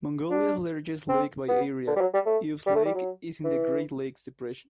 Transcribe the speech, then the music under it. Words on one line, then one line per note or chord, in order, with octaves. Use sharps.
Mongolia's largest lake by area, Uvs Lake is in the Great Lakes Depression.
D4
C4
B3
D3
G3
F#3
G3
A3
G3
A3
G3
F#3
E3